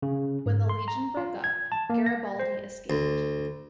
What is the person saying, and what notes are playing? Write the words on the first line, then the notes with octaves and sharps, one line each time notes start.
When the legion broke up, Garibaldi escaped.
C#3
G#2
C6
A#5
F4
G#6
A5
A#3
A#6
C5
D2